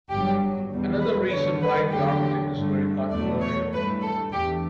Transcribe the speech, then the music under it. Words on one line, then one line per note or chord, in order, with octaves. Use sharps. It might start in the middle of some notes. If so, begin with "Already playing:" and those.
Another reason why the architect is very controversial.
G1 G2 F#3 G4
E2 B2 G3
B4
G2 D3 A3 C#5
B4
E2 D3 F#3 A3 G4
G2 D3 A3
E2 B2 F#3 A3 D5
C#5
G2 E3 A3 B4
A4
E2 D3 A3 G4